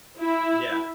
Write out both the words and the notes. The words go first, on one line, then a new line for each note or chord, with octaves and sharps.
Yeah. E
E4